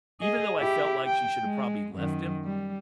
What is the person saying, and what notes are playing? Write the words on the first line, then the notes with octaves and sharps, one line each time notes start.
even though I felt like she should have probably left him,
G#4 D#5
E4 G4
G5
G#3
F#2 D#3
G3